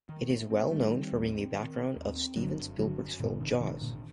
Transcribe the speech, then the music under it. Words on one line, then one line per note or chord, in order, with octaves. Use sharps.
It is well known for being the background of Steven Spielberg's film "Jaws".
D#3
A3
C4
D#3 G3 A3
C4
D#2
C4
D#3
C4
D#2
C4
G1 D3 F#3
G1
G1 D3 F#3
F#2
G1 A#2 D3
G1 C3 D#3
G1 C3 D#3
G1 A#2 D3